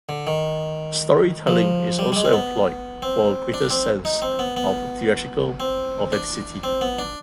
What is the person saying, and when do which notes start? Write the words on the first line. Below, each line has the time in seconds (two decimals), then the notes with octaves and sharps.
Storytelling is also employed for a greater sense of theatrical authenticity.
0.09 D3
0.27 D#3
1.47 F3
1.99 G3
2.12 G3
2.16 G#3
2.25 C4
2.33 B3
3.02 C4
3.54 D4
3.70 C4
4.05 D#4
4.22 C4
4.39 B3
4.57 B3
5.60 C4
6.12 D4
6.64 C4
6.81 B3
6.99 D4